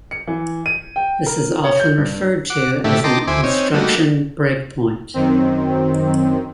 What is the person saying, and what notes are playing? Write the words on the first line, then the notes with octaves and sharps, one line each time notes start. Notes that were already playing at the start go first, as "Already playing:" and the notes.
This is often referred to as an "instruction breakpoint".
C#7
E3
D#7
G5
A#4
C#5
G6
G2
F#5 D6
A2 D3 A3 E4 G4
D#5 G5 A5 A#5 C6 D6
D2 E4 C5 G#5 D6
C4 C#4 D#4 C#5
G3 A3 A#3 D#4 F#4
F#2 D#3 C4